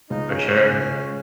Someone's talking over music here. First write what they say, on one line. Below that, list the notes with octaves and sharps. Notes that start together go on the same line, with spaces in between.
For sure.
C#2 D#4
C#3 C#4
C#3 C#4
C#2
C#3